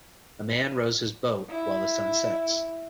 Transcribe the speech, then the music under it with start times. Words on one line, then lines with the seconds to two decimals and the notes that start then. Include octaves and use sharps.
A man rows his boat while the sun sets.
1.49 E4